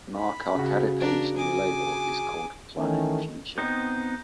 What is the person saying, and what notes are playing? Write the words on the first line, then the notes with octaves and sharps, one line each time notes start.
Marc Arcadipane's new label is called "Planet Phuture".
B5
C#3 F#4
D4 A#4
G#4 D6
D#3 E3 A3 C#4
B3 C4 D#4 G6